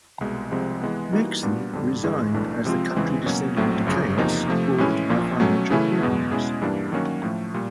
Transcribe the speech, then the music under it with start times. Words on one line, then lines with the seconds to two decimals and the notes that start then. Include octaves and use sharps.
Meksi resigned as the country descended into chaos caused by financial problems.
0.21 C2 B2 G#3
0.51 C2 C3 F3 G#3 C4
0.82 E3 G#3 B3
1.12 E3 G3 A#3 D#4 F#4
1.43 A#2 G3 B3 D4 F#4
1.73 F2 D3 G3
2.04 G1 G2 E3 G#3
2.34 B1 A2 E3 A3 D4
2.65 C3 F3 G#3 C4 F4
2.95 E2 C#3 E3 G#3 C4
3.26 B2 F#3 A#3 C#4
3.56 A#1 A2 F#3 A3 C4
3.86 G1 F#2 C#3
4.17 E2 C3 F3 A#3 D#4
4.48 C3 F3 A3
4.78 A2 E3 G#3 C#4 E4
5.09 A#1 A#2 F3 A#3
5.40 B2 F#3 A3 C#4
5.70 C#3 E3 A3 C#4 E4
6.00 E2 B2 G#3 B3
6.31 B2 G#3 C#4 E4 G#4
6.62 G2 E3 G3 A#3 D4
6.92 D#3 F#3 A#3 C#4 F#4
7.23 A2 F3 A3
7.54 A#2 G3